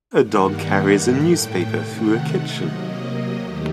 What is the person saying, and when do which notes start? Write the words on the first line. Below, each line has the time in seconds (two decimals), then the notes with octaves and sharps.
A dog carries a newspaper through a kitchen.
0.19 G2 D#3 G3 A#3 F#5
0.98 A2 A3 G5
1.78 C3 D#3 A3 F#5
2.56 C3 F#3 A#3 D#5
3.36 D#2 D#3 A3 G4